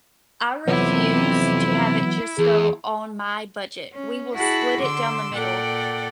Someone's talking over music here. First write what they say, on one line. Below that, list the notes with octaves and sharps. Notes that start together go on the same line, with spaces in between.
I refuse to have it just go on my budget, we will split it down the middle,
F2 C3 E3 F#3 B3 E4
E2 G#4
C#4
E4 F#4 G#4 F#5 A5 B5
D3 C6 D6 E6
A#2 A4 D5 F#5 G5